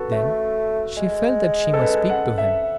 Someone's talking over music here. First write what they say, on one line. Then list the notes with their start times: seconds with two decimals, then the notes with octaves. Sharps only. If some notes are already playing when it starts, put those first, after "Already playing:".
Then she felt that she must speak to him.
Already playing: F#4 A4 B4
0.12 A3
0.97 G#3
1.73 A4
1.82 B4
2.10 F#5
2.38 E5